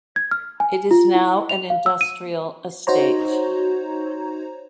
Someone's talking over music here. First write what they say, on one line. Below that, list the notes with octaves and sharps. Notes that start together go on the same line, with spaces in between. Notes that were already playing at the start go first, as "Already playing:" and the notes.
It is now an industrial estate.
G#6
F6
G#5
F4
E4
F7
F5
E6
D#7
D#4 F#4 C5 C#5 A#5